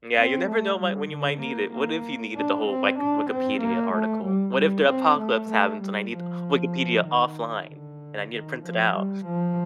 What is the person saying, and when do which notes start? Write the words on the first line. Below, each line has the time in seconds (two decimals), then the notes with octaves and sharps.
Yeah, you never know mi when you might need it. What if you needed the whole, like, Wikipedia article? What if the apocalypse happens and I need Wikipedia offline and I need it printed out?
0.17 C4
0.48 A3
0.79 G3
1.11 D3
1.42 A#3
1.73 A#3
2.36 D4
2.68 C4
2.99 D4
3.30 C4
3.61 A#3
3.93 A3
4.25 G3
4.55 G3
4.87 C4
5.18 A3
5.50 A3
5.81 G3
6.12 F3
7.06 D#3
7.69 D3
8.32 D#3
8.63 F3
8.94 G3
9.25 F3